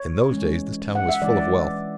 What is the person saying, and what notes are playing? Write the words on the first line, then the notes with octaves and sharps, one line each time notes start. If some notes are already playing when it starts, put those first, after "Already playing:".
In those days this town was full of wealth.
Already playing: C#5
E3 G#3 C#4
F#5
E5
E3 G#3 C#4 D5